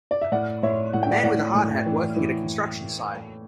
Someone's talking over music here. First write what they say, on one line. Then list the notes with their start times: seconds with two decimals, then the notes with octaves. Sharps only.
A man with a hard hat working at a construction site.
0.11 D5
0.21 E5
0.32 A2 D5 F#5
0.63 A2 C#5 E5
0.93 A2 F#5
1.03 G5
1.11 D5 F#5
1.24 A2 D5 F#5
1.55 A2
1.86 E3
2.16 E3